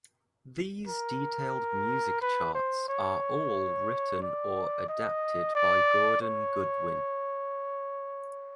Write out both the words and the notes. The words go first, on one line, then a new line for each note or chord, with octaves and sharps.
These detailed music charts are all written or adapted by Gordon Goodwin.
A#4
B4
C5
C#5
D5
D#5
D5
C#5